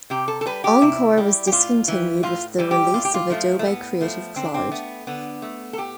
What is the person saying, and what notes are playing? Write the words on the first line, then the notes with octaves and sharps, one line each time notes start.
Encore was discontinued with the release of Adobe Creative Cloud.
C3 G4
A4
A4
G3 B4
G4
C3 E4
G3
G4
A2 F4
E3 G3
A2 F4
E3 G3
G4
A2 F4
G4
F4
F3 A3
A3
A2 B3
F3 A3
D3 C4
D4
C4
A3 B3
D3 B3
A3
A4
A2 G4